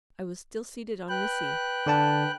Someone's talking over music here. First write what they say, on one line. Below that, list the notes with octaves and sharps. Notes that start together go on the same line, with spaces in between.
I was still seated on Missy.
B4 G5 F#6
D3 D4 A5